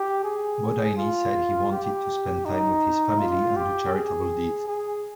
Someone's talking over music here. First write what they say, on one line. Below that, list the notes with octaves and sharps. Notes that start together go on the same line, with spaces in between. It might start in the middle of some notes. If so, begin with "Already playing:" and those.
Bodine said he wanted to spend time with his family and do charitable deeds.
Already playing: G4
G#4
F4
G4
D#4
F4
G4
G#4
G#4